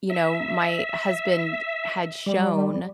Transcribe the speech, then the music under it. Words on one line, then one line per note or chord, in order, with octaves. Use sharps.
you know, my husband had shown
E5
G3